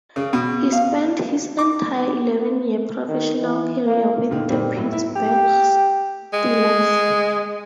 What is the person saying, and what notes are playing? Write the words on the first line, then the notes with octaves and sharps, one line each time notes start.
He spent his entire eleven-year professional career with the Pittsburgh Steelers.
C#3
B2
F5
D6
D#3
E3
A#3
A#2 D3 D#3
A#2 D#3 G3 C4
A2 F#3
E4
G4
G#3